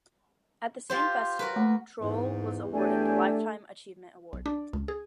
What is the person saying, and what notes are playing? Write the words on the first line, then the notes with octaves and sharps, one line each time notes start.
At the same festival Troell was awarded the Lifetime Achievement Award.
F4 G4 C5
F#4 A#4 B4
A3 A#3 F#5
E2 G#2
A3 D4 G4 D5 G#5
B1
D4
C#2
G#4